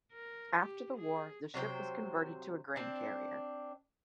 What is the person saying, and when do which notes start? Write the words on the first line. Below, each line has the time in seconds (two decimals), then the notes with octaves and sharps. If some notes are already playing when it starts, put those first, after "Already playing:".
After the war the ship was converted to a grain carrier.
0.12 A#4
0.59 G4
0.96 G#4
1.54 C3 F#3 C5 G5
2.76 C4 D4